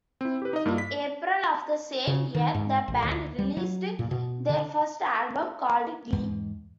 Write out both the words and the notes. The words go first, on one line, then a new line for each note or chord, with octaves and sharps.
In April of the same year, the band released their first album, called "Glee".
C4 E4
G4 B4
D#4 D#5
G2 A#3
B6
C#3
D#3
G#2
A1
D2
G3
F#3
A#2
B2
D3
E2 G#2 G#3